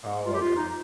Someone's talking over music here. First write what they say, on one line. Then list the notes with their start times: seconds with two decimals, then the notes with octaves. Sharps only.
Oh, okay.
0.26 F4
0.34 G4
0.42 F4
0.56 D#4